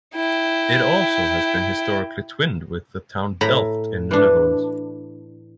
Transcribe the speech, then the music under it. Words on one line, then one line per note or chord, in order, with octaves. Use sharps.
It also has been historically twinned with the town Delft in the Netherlands.
E4 G5
A2 A#5 B5
E3 D4